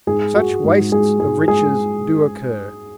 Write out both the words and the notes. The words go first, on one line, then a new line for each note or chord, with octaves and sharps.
Such wastes of riches do occur.
G#2 G#4
G#3 F#4
G#2
G#3 G#4
G#2 G#4
G#3 G#4